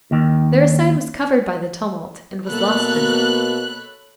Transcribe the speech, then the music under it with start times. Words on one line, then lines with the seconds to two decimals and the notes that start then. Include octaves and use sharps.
Their aside was covered by the tumult and was lost in it.
0.11 D#2 D#3
2.49 B2 A#3 A4 C#5 B5 F#6